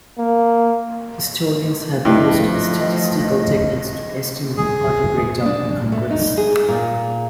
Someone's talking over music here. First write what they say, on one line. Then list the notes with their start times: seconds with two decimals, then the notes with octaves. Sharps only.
Historians have used statistical techniques to estimate the party breakdown in Congress.
0.18 A#3
2.05 G2 F3 G3 A3 E4 D#5
4.57 G#4
5.46 D4
5.92 A3
6.11 D#4
6.37 G#4
6.68 A#2